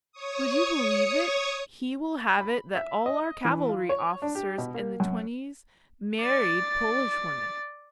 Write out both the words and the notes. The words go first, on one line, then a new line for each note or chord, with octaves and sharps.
Would you believe it, he will have it that all our cavalry officers in the twenties married Polish women.
C#5 C#6 D#6
B5
E5
D#5
E3
F4
C#5
D4
G4
B2
A#3
F#2
D5 A6